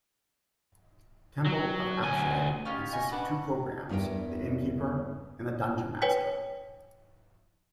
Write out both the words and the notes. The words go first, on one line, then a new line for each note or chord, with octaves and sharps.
"Temple of Apshai" consists of two programs; the Innkeeper and the Dunjonmaster.
F#3
D2 G#5
C#4 D#4 F4 G4
D#5 G#5 C#6
D4 F#4 B4
E2 G2 B3 A#4 G5
B4 C#5 G5 G#5 B6